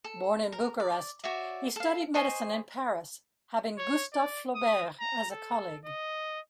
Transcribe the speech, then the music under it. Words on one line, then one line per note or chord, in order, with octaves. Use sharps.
Born in Bucharest, he studied medicine in Paris, having Gustave Flaubert as a colleague.
A4
A#4
D5
F#4 C#5 D5 E5
A4 F5
C5 D#5 G#5 C#6
C#5
D5
D#6
A#5
A4
D#5